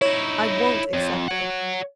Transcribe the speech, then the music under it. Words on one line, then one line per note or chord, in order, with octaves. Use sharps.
I won't accept it.
D#4 E4 C#5
F2
C#5 F#5